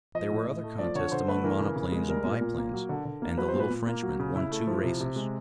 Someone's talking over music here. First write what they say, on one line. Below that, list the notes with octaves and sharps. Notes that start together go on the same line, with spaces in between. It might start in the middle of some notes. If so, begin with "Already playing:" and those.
There were other contests among monoplanes and biplanes, and the little Frenchman won two races.
F3 D#5
A2
A2
A3
F3 D5
D3 C#5
D3 C5
A3 B4
E3 A#4
C#3
C#3
G#3
G3 A#4
A#2
A#2
A#3
F#3
D3
D3
A#3
F#3 B4
C5
A#2
B4
A#2
A#3
F#3
C#3
C#3 E4
A3
F3
C3
C3
G#3